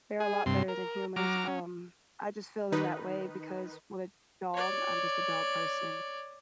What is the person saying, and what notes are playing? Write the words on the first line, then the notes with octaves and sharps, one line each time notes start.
They're a lot better than humans, um, I just feel in that way because with a dog- I'm just a dog person-
G#4
G2 C3 C6
A#4
F#3 A#5 D6 F6
C#4
D#3 D#4 B4
C#5 D5